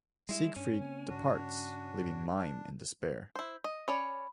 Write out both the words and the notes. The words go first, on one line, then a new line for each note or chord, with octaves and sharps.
Siegfried departs, leaving Mime in despair.
G3 G#3 E4
G2 C#4 D4
C#3 A#3 C4 G#5
G2 C#3 D4 F#4
D4
E4 C5
D#5
C#4 C#5 D5 B5